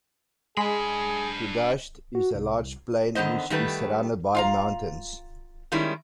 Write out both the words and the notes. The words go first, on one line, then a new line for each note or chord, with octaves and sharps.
Kuhdasht is a large plain which is surrounded by mountains.
G#3 D4 G#4 B5
F#4
C2
D3 D#3 B3 C5 D#5
D#3 G3 A3 B4
F4 F5 A#5
D#3 G3 G#3 C#4 E4